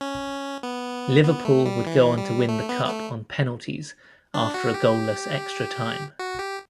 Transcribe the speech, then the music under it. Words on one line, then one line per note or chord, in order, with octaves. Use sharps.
Liverpool would go on to win the Cup on penalties after a goalless extra-time.
C#4
B3
B3
A3
G3
E3
G3
A3
B3
B3
A3
D4
F#4
G4
F#4
G4